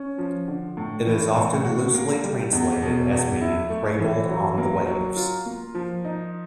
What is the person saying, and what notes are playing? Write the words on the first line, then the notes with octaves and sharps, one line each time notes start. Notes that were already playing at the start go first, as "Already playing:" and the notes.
It is often loosely translated as meaning cradled on the waves.
Already playing: C#4
F3
D3
A2
E3
A2
F#4
A#3
G3
E2
B2
E2
E4
A3
E3
F#3
A#3
F#3
F4
A#3
F3
D#4